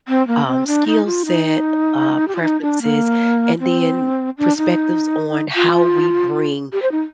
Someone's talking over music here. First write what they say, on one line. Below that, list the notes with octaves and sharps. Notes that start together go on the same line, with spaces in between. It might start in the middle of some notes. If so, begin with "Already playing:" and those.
um, skill set, uh, preferences, and then perspectives on how we bring
C4
A#3
C4
D4
D#4
F4
D#4
G4
F4
D#4
D4
A#3
C4
D4
D#4
F4
G4
C5
D#4